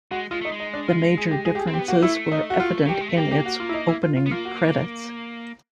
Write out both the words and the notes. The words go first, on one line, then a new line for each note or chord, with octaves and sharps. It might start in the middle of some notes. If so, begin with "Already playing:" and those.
The major differences were evident in its opening credits.
G#3 F#4
G#3 F4
A3 D#4
G#3
D#4
D4
F4
G#4
G4
G#4
G4
G#4
C4
G4
B3
A#3 F#4
A3 E4
D#4
F#4
F4
F#3 G4
G3
G#3
A3
A#3 G4
G4
F#4
F4
E4
D#4
E4
F4
F4
B3
A#3 F4
F#4